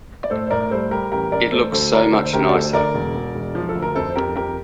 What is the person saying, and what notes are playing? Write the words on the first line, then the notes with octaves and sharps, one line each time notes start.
It looks so much nicer.
D5
A2 A4 C5
C5
A2 A#4 D5
G3 A4 C5
G3 G4 A#4
A1 G4 A#4
A1 A#4 D5
A3 A4 C5
D2 A4 C5
A3 A#4 D5
D3 A4 C5
C5
D2 G4 A#4
D5
A3 A4 C5
D3 A#4 D5
E1
E1
E1
F3
A4
D2
A#4
F2 A4 C5
C5
F2 G4 A#4
F2 G4 A#4